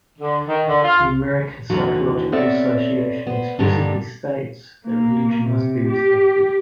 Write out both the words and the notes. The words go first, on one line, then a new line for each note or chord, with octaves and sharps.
The American Psychological Association explicitly states that religion must be respected.
D3
D#3
D3
F4
D#2 D3 E3 F#3 B3 F#4
B3 C4 A4 C#5 D5 E5
B3 C5
G2 A#2 D3 D#3 G3
A#3
C3
G4